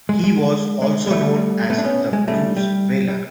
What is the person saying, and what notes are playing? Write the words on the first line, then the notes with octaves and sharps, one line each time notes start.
He was also known as "the Blues Wailer".
G#3
G#3
G#3
G#3
G3 A3
A3 B3
D4
B3 C#4
G#3
G3 A3
G3
G3